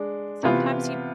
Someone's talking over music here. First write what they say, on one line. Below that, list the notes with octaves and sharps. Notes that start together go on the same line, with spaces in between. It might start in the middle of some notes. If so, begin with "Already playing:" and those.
sometimes you
Already playing: G#3 D4
C3 E3 B3 F4 B4